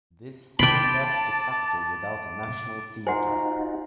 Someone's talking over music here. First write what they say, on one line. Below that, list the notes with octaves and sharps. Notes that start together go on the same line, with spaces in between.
This still left the capital without a national theatre.
G5 A5 B5 C6 D6 A6 D7
D#4 F4 F#4 C5 F#5 G#5 A#5 C6